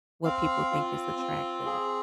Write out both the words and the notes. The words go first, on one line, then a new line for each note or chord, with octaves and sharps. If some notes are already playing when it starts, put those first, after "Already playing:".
what people think is attractive.
C4 F5
F4
C4
G#4